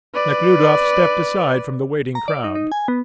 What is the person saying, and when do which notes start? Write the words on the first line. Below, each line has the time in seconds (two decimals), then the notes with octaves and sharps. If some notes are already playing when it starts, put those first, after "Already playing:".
Nekhludoff stepped aside from the waiting crowd.
0.14 B4 D5
2.15 A#5
2.28 D5
2.44 D#4
2.55 D#4
2.72 G#5
2.88 B3